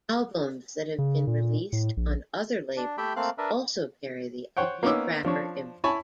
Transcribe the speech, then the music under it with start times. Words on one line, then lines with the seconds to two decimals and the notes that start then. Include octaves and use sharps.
Albums that have been released on other labels also carry the Uppity Cracker imprint.
0.98 C#3
1.27 A#2
1.73 A2
1.97 A#1
2.77 D4
2.98 A3 G4 E5 G5 B5
3.16 A3 A#3 C4 F5 F#6
3.38 D4 A#4 B4 E5
4.57 C5 C#5 F#5 G5
4.83 A#3 B3 C#4 D#4 D6 E6
5.25 F3 D4 C#5
5.84 E4 C#5 G#5 A5 B5 C#6